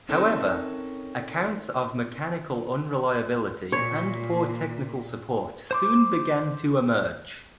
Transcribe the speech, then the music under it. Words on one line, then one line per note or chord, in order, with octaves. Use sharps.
However, accounts of mechanical unreliability and poor technical support soon began to emerge.
C4 C#4 D#4 A4 A#4 C#5
A#2 C#5
C5 C6 D6